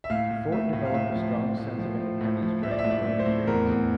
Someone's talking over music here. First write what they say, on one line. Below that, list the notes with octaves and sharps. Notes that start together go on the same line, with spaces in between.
Fort developed a strong sense of independence during his early years.
E5
A2 F5
A2
A2 E5
A2
F5
A2 E5
F3
F3
A2
F3
F3
A2
F3
A2 E5
D5
E5
A2
D5
A2
C5
A2
E2 A#4
E2